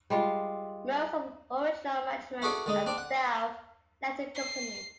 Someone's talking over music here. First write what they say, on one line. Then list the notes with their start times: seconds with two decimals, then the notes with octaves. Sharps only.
Most of the original management and staff left the company.
0.10 G3 G#3 F4 F5
2.42 E4 F#4 G#4 A4 D5
2.66 D3 G#3 D#4
2.86 C4 D4 D5
2.98 F#5
4.36 C7